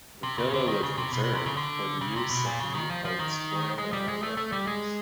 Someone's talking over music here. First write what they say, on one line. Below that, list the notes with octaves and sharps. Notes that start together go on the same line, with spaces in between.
The Villa was reserved for the use of the new pope's Borromeo nephews.
C3
C#3
D3
D#3
C#3
C3
B2
B2
C3
C#3
D3
C#3
C3
B2
A#2
C#3
D#3
F3
F3
D#3
G#3
G3
G#3
A3
A3
G3
G#3